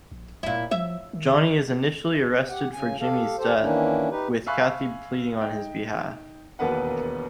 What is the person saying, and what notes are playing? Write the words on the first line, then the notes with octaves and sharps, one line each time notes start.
Johnny is initially arrested for Jimmy's death, with Kathie pleading on his behalf.
A#1
D1 A#2 E4
F3 E5
D#3
G4 F#5
C#3 G#5
G4 A4 F5
G4 A4 C5
D#3 E3 A#3 C#4 D4 E4
D#4 G4 B4
E5 F5 G#5 B5 C#6 F#6
D#4 G5
E1 D#2 A#3 B3 B4 F#5